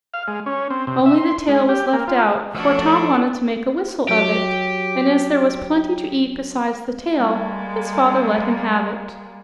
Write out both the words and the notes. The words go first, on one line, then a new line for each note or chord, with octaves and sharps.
Only the tail was left out, for Tom wanted to make a whistle of it, and as there was plenty to eat besides the tail his father let him have it.
F5
G#3
C#4
C4
C3
E5
C6
G#3
G4
A#3
F4
F3 A3 D4 F#4 A4 C#5 E6 F6
F#3 G4
G3 G#3 A#3